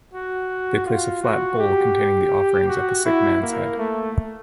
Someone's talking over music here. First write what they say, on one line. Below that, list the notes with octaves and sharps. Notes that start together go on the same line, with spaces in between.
They place a flat bowl containing the offerings at the sick man's head.
F#4
F4
F#4
G4
F#4
E4
A#3
A3